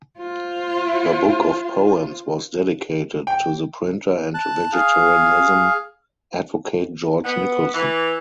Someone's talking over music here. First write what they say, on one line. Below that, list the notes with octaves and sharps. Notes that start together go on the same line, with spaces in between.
Her book of poems was dedicated to the printer and vegetarianism advocate George Nicholson.
F4 C5
G5
A5 F#6
G#4 F5
B3
E3